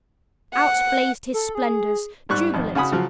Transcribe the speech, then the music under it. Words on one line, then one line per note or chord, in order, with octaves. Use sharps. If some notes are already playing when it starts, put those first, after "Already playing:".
Out blazed his splendors--jubilant.
F#5
A4
G#4
G#2 G3 C#6 F#6
G#1 F2
C#3 F#4 G#5 B5 D#6
C#3 F3 F#3